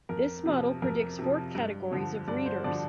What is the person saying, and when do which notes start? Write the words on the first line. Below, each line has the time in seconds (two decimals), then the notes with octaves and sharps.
This model predicts four categories of readers.
0.09 F2 A#4
0.46 C3 F3
0.82 F2 A#4
1.19 C3 F3
1.55 G2
1.91 D3 F3
2.28 G2 D5
2.46 C5
2.64 D3 F3 D5